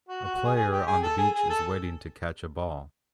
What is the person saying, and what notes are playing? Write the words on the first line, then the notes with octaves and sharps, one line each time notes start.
A player on the beach is waiting to catch a ball.
F#4
F#4
F#4
G#4
G#4
G4
G#4
A4
G#4
G#4
A4